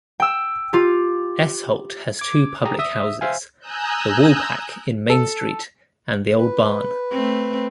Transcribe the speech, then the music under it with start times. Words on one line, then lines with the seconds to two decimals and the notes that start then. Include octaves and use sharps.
Esholt has two public houses, The Woolpack in Main Street and The Old Barn.
0.20 G5 E6
0.73 F4 G4
2.19 D6 G#6
2.64 G4 G#4 A#5 D#6
2.79 E5 D#6 E6
3.21 C5 E5 F5 G#5
3.59 G#5 A#5 D#6 E6 F#6 G6
5.10 A4
6.37 B4
7.12 A3 C4